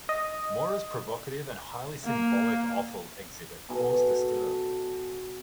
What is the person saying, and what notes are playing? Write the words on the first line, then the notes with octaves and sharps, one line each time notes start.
Mora's provocative and highly symbolic offal exhibit caused a stir.
D#5
A#3
B2 G#4 A4